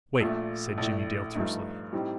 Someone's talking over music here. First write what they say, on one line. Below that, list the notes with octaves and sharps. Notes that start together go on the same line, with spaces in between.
"Wait!" said Jimmie Dale tersely.
A#1 A#2 A3
A#1 A2 A3
G2 F3 A3 D#4
A2 G3 C4 D#4